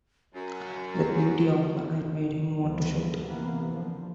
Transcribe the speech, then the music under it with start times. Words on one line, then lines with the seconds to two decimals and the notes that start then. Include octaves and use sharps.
The beauty of the night made him want to shout.
0.34 F#2 F#4
2.57 D2 E3 F3 G3 B3
3.20 C3 E3 A#3 B3
3.69 D3 F3